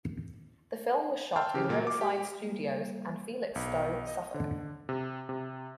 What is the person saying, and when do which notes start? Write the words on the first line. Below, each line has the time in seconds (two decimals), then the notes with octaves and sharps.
The film was shot in Riverside Studios, and Felixstowe, Suffolk.
1.36 G5 A5 C6 E6 F6 G6
1.54 C#3 E3 G4
1.69 A#2 A#3 F#4
1.87 D6
2.01 G4
2.40 G3 A#3
3.56 B1
4.07 D#5
4.34 D3
4.89 C3
5.29 C3